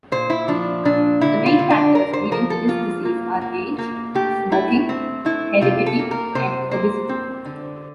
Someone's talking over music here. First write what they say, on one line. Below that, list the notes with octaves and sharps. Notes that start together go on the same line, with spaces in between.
The main factors leading to this disease are age, smoking, heredity, and obesity.
A#2 C5
E4
F3 D4
A#2 D4
D3 E4
F4
D3
D4
D3 A#4
C5
F3 A#4
A4
A#3 F4
A#3
A#3
A#3
A3 G4
A3 E4
C4
A3 E4
C3 F4
A4
A#3
A#4
C3 C5
A#3 C5
C4
D3